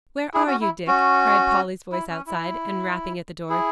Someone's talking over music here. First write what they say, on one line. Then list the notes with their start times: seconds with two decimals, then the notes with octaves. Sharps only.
"Where are you, Dick?" cried Polly's voice outside, and rapping at the door.
0.34 E4 G#4
0.47 C#4 F#4
0.61 E4
0.87 C#4 F#4
1.92 E4
2.10 C#4
2.27 E4
3.49 E4 G#4